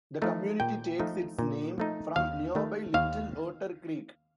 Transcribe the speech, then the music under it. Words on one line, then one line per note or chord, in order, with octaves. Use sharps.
The community takes its name from nearby Little Otter Creek.
F3 A3 D#4
A#2 G5
F3 A3 D#4
A#2
F3 A3 D#4
D#2 F5
D#3 A3
D#2 F5